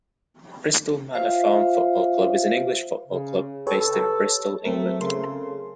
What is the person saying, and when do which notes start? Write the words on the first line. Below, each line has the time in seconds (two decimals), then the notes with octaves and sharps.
Bristol Manor Farm Football Club is an English football club based in Bristol, England.
1.13 F4 C5 E5 F5
3.08 C#3
3.67 G4 A4 B4 C#5
4.65 F#3 A3 C4 A#4
5.01 C#3 A4 A#4 C6